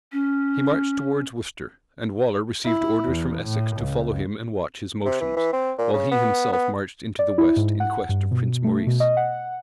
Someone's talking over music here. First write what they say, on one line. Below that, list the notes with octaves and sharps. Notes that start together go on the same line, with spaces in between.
He marched towards Worcester; and Waller received orders from Essex to follow him and watch his motions, while he himself marched into the west, in quest of Prince Maurice.
C#4
E4
E2
A2
C#2
C3
E3
E3
C4
A#2
C#3
B3
B3
D5
E4
G#2
F#5
G2
B2
A3
B2
D#5
F#5